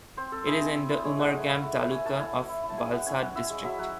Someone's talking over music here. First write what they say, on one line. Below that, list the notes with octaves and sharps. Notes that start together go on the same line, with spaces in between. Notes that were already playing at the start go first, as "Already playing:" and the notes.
It is in the Umargam taluka of Valsad district.
C4 C5
C4 A4
E4 G#4
C4 G#4
C4
E4
G#3 C#5
G#3 F#5
A3
E4
E4
A3
A3 G#5
A3 A5
E4 G#5
A3
E4
E4
A5
G#3 G#5
E4 F#5
C#4 G#5
C#4 F#5
E4 E5
G#3
F#3 E5
F#3 F#5